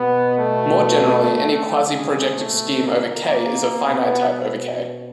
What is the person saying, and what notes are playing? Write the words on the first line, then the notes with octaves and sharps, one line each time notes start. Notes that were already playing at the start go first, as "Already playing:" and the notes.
More generally, any quasi-projective scheme over "k" is of finite type over "k".
Already playing: B2 B3
A3
B2 G#3
A3
A#3
A#3
B2 B3